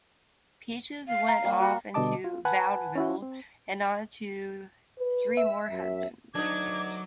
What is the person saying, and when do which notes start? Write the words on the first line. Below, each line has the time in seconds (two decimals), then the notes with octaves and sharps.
Peaches went off into vaudeville and on to three more husbands.
1.08 F5
1.28 A#5
1.44 G3 A#3
1.59 F#4
1.94 B2 D3 G3 D#5 A5 D6
2.24 F4
2.45 B4 F#5 G#5 A5 B5 F#6
2.95 C#4 E4 F#4
3.22 C4
4.99 B4
5.37 E5
5.70 F#2
6.35 D2 D#3 F#3 D4 D#4 D6 G#6